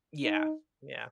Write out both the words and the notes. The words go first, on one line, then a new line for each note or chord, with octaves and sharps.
Yeah, yeah.
D#4